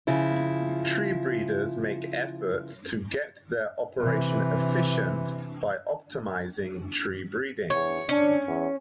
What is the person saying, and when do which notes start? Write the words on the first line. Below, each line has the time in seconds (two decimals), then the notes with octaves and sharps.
Tree breeders make efforts to get their operation efficient by optimising tree breeding.
0.07 C#3 F3 E4
3.99 C3 E3
7.70 E2 C#5
8.09 C#4 D4
8.47 E2